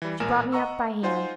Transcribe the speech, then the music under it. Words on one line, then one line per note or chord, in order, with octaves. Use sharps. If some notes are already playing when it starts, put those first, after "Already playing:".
She brought me up by hand.
E3 G3
A1 A#2 A#4 G#5 E7
D#5 F#5 A#5 C#6 E6
D#4 F4 C5 F#5 G#5 C6